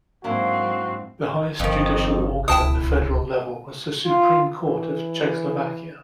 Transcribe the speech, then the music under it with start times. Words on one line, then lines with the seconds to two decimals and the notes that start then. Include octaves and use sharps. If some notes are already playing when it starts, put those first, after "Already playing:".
The highest judicial organ at the federal level was the Supreme Court of Czechoslovakia.
0.24 G#2 F#3 A#3 C4 D4 E4 F#4
1.60 G1 F2 D#3
2.48 D1 C#2 B2 E4 G5 A5 D#6
4.05 F4
4.62 E3